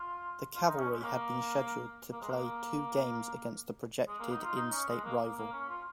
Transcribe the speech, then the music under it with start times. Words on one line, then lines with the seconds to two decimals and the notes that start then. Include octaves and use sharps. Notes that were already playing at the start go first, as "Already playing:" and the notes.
The Cavalry had been scheduled to play two games against the projected in-state rival.
Already playing: F4
0.55 F4
0.67 D#4
0.79 C#4
0.91 G#3
0.98 C#4
1.03 A#3
2.12 A#3
2.21 G#3
2.31 A#3
4.07 G#3
4.20 A#3
4.31 D#4
4.43 F4
4.56 D#4
4.72 C#4
4.88 G#3
5.04 A#3
5.20 A#3
5.36 A#3
5.53 C#4
5.69 F4